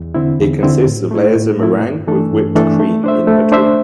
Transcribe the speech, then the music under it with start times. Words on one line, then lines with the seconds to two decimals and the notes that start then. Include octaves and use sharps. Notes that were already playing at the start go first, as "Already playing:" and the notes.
It consists of layers of meringue with whipped cream in between.
Already playing: E2
0.14 D3 C4 E4
0.39 E2
0.63 D3 C4 E4
0.87 A2
1.11 A3 E4
1.35 A2
1.59 A3 E4
1.83 G2
2.07 E3 A3 D4 A4
2.31 G2
2.56 E3 A3 D4 A4
2.80 A3
3.04 D4 C5 E5
3.27 A3
3.52 D4 C5 E5